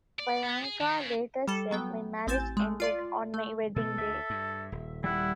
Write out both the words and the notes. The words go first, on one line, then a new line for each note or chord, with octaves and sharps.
Bianca later said My marriage ended on my wedding day.
D5
B3
G#4
D#3
C#3
G3 A4
F#3 B3 G5
A1 C4 G#5 G6 A6 E7
G#3 A3
F4 D5 C6
A3
B2 A3 A4
D2 E5
G2
D#1
G3 E4 F#5